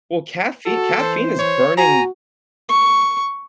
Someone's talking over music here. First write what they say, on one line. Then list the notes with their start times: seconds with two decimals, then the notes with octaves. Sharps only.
Well, caffei caffeine is burning
0.66 F#4 A4
0.99 E3 C5
1.39 C#5
1.77 F#4 G#5 A#5
2.69 C#6